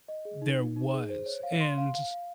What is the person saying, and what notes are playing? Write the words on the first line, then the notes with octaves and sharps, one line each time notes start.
there was, and,
D#5
G#4
D#4
D#4
D#4
G#4
C5
C#5
F5
C6
F5
F5
F5